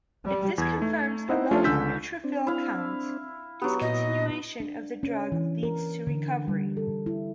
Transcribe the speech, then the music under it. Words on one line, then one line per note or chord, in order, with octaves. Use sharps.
If this confirms a low neutrophil count, discontinuation of the drug leads to recovery.
G3
E2 G#6
A3 D#4
C4 D#4 E4 C5 D#5 F#5
F3 A3 C#4 D4 F4 G4
C#2 D3 G#5 E6 G6 B6
C4 D4
E4 F5
F#3 B3 G4
A#2 D#5
D4
C#4
E3
A#4
D3
G3
A4
E4